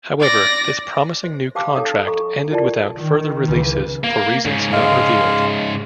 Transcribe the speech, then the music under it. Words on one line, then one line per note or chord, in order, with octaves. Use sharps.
However, this promising new contract ended without further releases for reasons not revealed.
D5 A#6
C5
G4 C5 F5 G5 A5 D6
D#4 A4 C#5 G5 D#6
A4 A#5 C#6
E4 F4 A#4 D5 G5 A5
D#3
C#2 E3
A#3
G#2 C#3
G#3 F5